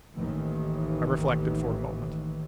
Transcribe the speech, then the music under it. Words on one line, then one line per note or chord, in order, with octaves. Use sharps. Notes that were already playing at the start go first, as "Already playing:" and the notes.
I reflected for a moment.
A1 D#2 D#3 E3